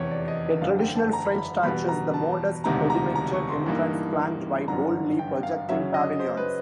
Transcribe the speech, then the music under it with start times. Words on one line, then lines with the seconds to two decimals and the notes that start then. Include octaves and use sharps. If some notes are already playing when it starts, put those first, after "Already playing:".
A traditional French touch is the modest pedimented entrance flanked by boldly projecting pavilions.
Already playing: F1 E2 C3 G4 C#5
0.11 D5
0.28 D#5
0.61 F#1 F#2 D3 F5
0.79 G5
0.96 A5
1.13 A#5
1.25 B5
1.38 B5
1.63 E2 B2 G3 B5
1.89 A#5
2.14 A5
2.64 E1 D2 C3 D#3 A#5
2.90 A#5
3.15 A#5
3.33 C#6
3.49 C6
3.66 G2 E3 G3 A#3 D#4
4.68 G1 F#2 D3 A#5
5.19 G5
5.43 F5
5.69 F#2 C#3 F#3 E5
5.94 D#5
6.19 C5
6.37 B4